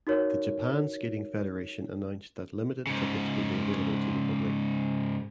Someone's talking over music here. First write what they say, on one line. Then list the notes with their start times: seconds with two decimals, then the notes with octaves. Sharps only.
The Japan Skating Federation announced that limited tickets would be available to the public.
0.07 D#4 F#4 A#4 C#5
2.87 G#2 C#3